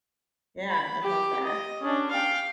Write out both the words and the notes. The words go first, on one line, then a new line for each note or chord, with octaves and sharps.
Yeah, I love that.
B5
G4 G5
D#5
C#4 D4
F5 G5